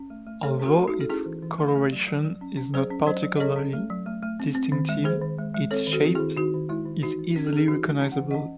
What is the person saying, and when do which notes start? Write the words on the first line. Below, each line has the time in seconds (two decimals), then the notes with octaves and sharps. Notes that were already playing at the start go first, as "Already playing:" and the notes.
Although its coloration is not particularly distinctive, its shape is easily recognizable.
Already playing: C#4
0.10 A3
0.27 A3
0.43 A3 A4 C#5
0.60 C#4
0.65 F#4 A4
0.76 A3
0.88 D#4 F#4
0.93 A3
1.00 A4
1.09 C#4 E4 G#4
1.25 E3
1.43 E3
1.58 A3
1.76 A3
1.92 F#3
2.08 F#3
2.25 F#3
2.41 C#4
2.57 C#4
2.74 F#3 G#4 C5
2.91 C#4
3.07 F#3 C5 D#5
3.23 F#3
3.36 D#5
3.40 C#4 A4 C#5
3.56 C#4
3.73 A3
3.90 F#3
4.06 A3
4.23 A3
4.40 C4
4.55 C4
4.72 D#3
4.89 G#3
5.04 D#3 G#4 C5
5.21 D#3
5.38 G#3
5.54 G#3
5.71 C4 A4 C#5
5.87 D#3
5.93 F#4 A4
6.04 C4 F#4
6.15 E4 G#4
6.20 D#3
6.37 D#3 D#4 F#4
6.54 D#3
6.69 G#3 E4
6.86 D#3
7.02 E3 D#4 F#4
7.19 E3
7.36 C#4
7.47 A4
7.53 C#4 G#4
7.68 E3 D#4 F#4
7.84 G#3
8.01 C#4
8.12 F#5
8.19 E3
8.31 C#4 D#5 F#5